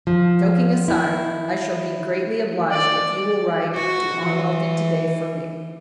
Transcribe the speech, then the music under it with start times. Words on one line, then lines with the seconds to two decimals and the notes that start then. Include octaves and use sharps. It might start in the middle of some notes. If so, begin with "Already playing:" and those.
"Joking aside, I shall be greatly obliged if you will write to Aunt Wealthy to-day for me."
0.07 F3
0.88 E4
2.71 D5
3.75 F#4
4.25 E3